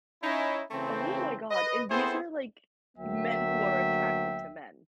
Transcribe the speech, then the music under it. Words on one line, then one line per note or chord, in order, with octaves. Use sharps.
Oh my god, and these are, like, men who are attracted to men.
C#4 D#4 E4
C#3 E3 A3 C4
B4 D#5
B3 C4 E4 G#4 A4 C5
D2 F#3 A#3 E5 G5